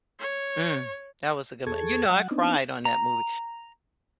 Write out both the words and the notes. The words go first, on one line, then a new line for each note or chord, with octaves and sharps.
Mm, that was a good mo you know, I cried on that movie,
C#5
E2 G#4 A4 A5 C#6 G#6
F#3 F#5
B3 C4 D4 D#4
A#5